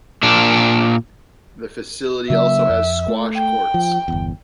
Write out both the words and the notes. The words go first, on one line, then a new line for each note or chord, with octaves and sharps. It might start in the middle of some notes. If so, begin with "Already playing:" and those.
The facility also has squash courts.
A#2 D4
C#3 F#3 A#3 E5
F2
A3
G5
F3
G1 E2